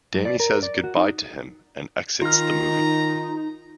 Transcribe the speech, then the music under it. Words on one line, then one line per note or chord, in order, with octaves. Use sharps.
Danny says goodbye to him and exits the movie.
F#2
D5
A#4
D5
F#4
D#4
D#3 D#4 F4 A#5 F6